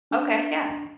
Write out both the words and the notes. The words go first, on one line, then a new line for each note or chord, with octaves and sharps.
Okay, yeah.
D4